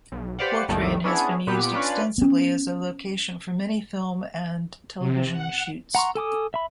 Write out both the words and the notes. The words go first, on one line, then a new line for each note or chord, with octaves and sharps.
Portrane has been used extensively as a location for many film and television shoots.
B1
G4 B4 C5 D5 F5 F#5
B1 F2 A2 D#3 G3 A3
B3 C#4 D4 E4 G#4 C#5
A#2 B3 G4 B4
C#4 D4 F4 B4 D5
B3 C#4
C3
F#5
F#5 A#5 C6 C#6
A4 G#5 D6 D#6
E5 B5